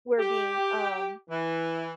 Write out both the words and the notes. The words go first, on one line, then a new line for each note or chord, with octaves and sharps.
we're being, um,
G4
E3